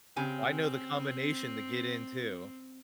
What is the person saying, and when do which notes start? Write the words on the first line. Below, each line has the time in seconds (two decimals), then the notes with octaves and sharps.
I know the combination to get in too.
0.16 C#3 C4 G4 G#5